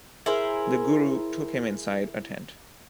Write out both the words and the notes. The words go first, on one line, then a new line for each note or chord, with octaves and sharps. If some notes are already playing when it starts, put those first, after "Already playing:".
The Guru took him inside a tent.
E4 G#4 A#4 C5